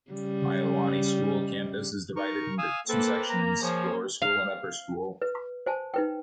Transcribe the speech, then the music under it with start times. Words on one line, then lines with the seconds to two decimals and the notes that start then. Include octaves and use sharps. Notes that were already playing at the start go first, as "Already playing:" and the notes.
Iolani School's campus is divided into two sections: Lower School and Upper School.
0.11 C#3 G3
2.16 D#4 A#4 C#6
2.58 F5 G#5 D#6 E6
2.89 A#3 A4 B4 C5 G5
3.30 A#5
3.62 F3 G#4 C5 C#5
4.22 F5
5.22 B4
5.66 C5 G#5 A5
5.94 D#4 B4 G5